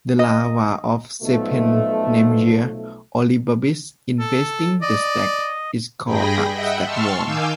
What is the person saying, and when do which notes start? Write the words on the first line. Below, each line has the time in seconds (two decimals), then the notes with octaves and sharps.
The larva of "Cephenemyia auribarbis", infesting the stag, is called a stagworm.
0.19 D#5
1.22 B1 B2 F3 A3
4.20 A4
4.82 D5 D#5
6.04 G2 G#4 G5 B5 A#6
6.52 D#5 E5 F#5 G5 B5
6.83 A5 C6 C#6 E6 F6
7.24 D#3 F5 G#5 D6 E6 G6